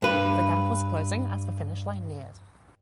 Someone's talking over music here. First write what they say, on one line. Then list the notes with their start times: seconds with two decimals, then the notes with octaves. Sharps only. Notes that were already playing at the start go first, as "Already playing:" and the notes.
The gap was closing as the finish line neared.
0.02 G2 B4